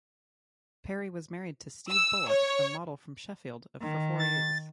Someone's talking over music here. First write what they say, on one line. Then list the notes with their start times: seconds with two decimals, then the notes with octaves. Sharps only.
Perry was married to Steve Bullock, a model from Sheffield, for four years.
1.89 E6
2.29 C#5
3.81 D#3
4.19 A6